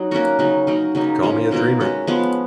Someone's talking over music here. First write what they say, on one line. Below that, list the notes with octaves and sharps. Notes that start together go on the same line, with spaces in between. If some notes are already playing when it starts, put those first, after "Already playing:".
Call me a dreamer.
Already playing: F#3 D#4
A#3 C#4 F#4 A#4
C#3 F#3 A#3 D#4
F#3 A#3 D#4 A#4
C#3 F#3 A#3 D#4
F3 A#3 C#4 F4
B2 A#3 F4 A#4
G#3 C#4 F#4
F3 G#3 B3